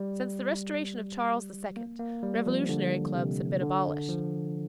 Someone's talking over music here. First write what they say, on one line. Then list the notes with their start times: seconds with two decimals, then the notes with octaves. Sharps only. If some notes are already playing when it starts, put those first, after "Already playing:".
Since the restoration of Charles II. revolutionary clubs had been abolished.
Already playing: G3
1.76 A#3
1.99 A#3
2.23 G3
2.46 F3
2.69 D3
3.15 C3
3.62 D3
4.09 F3